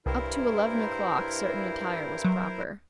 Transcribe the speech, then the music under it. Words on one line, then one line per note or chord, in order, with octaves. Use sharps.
Up to eleven o'clock certain attire was proper.
C2 G2 E4 A#4 C5
F#3